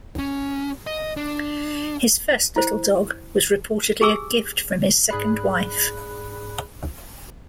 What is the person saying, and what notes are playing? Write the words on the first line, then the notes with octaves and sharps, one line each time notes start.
His first little dog was reportedly a gift from his second wife.
C#4
D#5
D4
E4 C5
G4 G#4 G#5 D6 E6
G#2 G#4 D5 B5 F#6